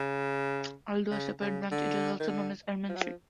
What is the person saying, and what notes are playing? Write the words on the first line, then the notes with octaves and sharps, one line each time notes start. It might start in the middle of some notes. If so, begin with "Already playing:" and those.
Although a separate branch, it is also known as Ermine Street.
Already playing: C#3
C#3
C#3
D3
D#3
D3
F3
F#3
F3